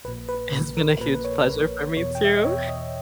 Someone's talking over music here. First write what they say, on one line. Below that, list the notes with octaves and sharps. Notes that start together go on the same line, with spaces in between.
It’s been a huge pleasure for me too.
A#1 A#2 B4
B4
A#1 A#2 B4
A#4
A#1 A#2 B4
B4
C#5
A#1 A#2 B4
E2 B2 C#5
G5
E5
D#5
E2 B2 C#5
D#5